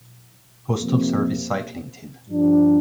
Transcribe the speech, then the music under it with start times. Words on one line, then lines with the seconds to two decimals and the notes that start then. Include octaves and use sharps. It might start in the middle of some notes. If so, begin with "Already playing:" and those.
Postal Service cycling team.
0.76 F2 C3 A#3
2.28 G2 F3 D4 G4